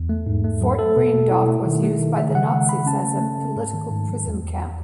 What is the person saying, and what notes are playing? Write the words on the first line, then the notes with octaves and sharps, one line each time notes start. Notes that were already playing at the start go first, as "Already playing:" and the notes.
Fort Breendonk was used by the Nazis as a political prison camp.
Already playing: E2
A3
G#2
A3
F#3
A3 A4
B2
B2
E4
A3
D#3
A3
D#3
C#3 E5
C#3 F#5
G#3
C#3 B5
C#4 A5
A3
A3
A3
G#2
D#3
G#2
F#3
E2
E2